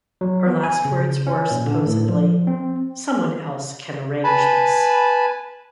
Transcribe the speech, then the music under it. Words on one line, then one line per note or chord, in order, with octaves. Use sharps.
Her last words were supposedly, "Someone else can arrange this".
F#3
B3
G#5
C#3
C#4
A#2
D3
A2
F3
C4
B4 G#5 A5 B5